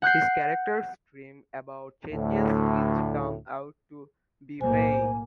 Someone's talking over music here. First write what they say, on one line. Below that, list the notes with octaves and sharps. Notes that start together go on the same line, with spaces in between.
His characters dream about changes which come out to be vain.
F#5 F#6 G6 C7
D2 A2
B1 A2 A#3 C5 G#5